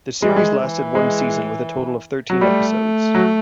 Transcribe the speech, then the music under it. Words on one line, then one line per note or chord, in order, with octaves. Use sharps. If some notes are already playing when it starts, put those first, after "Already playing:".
The series lasted one season, with a total of thirteen episodes.
E3 G#3
G3
G#3
E3
G#3
F#3
G3 A3
F#3